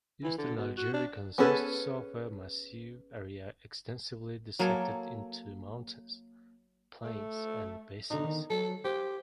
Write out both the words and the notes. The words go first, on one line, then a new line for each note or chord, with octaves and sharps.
Eastern Algeria consists of a massive area extensively dissected into mountains, plains, and basins.
E3
D3
B2
F#4
D4
B3 C#4 G#4 A4 B4
F#3 A#3 G#4 A4
A3
B2 D3 D#4
D#3 D4
F#3 A4
G4 C5